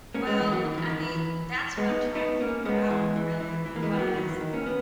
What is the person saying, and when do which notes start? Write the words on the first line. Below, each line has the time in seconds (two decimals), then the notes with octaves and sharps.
Well, I mean, that's what I'm trying to figure out, really, because,
0.14 A#3 C#4
0.27 G#3 B3
0.39 E3 G#3
0.52 F#3 A#3
0.64 D#3
0.78 E3
0.90 D#3
1.03 E3
1.15 E3
1.78 G#3 B3
1.90 B3 D#4
2.15 B3 D#4
2.40 A#3 C#4
2.65 G#3 B3
2.90 E3 G#3
3.16 E3
3.41 E3
3.66 E3
3.76 A#3
3.82 E3 G#3
3.92 B3
3.99 F#3 A#3
4.16 D#3 F#3
4.29 E3
4.40 D#3
4.53 A#3 C#4
4.66 B3